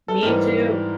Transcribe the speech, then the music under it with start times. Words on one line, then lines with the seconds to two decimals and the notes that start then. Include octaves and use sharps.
Me too,
0.08 A4
0.22 G#2 E3 G3 C4 A#4